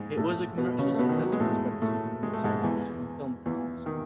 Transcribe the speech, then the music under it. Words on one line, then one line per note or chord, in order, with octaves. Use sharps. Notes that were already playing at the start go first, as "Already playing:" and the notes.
It was a commercial success despite receiving mixed reviews from film critics.
Already playing: G#2 G#3
A2 A3
B2 B3
C#3 C#4
A3
B2 B3
D#3
E3
F#3
G#3
A2 A3
A2 A3
G#3
A3
G#2 G#3
E2 E3
E2 E3
D#3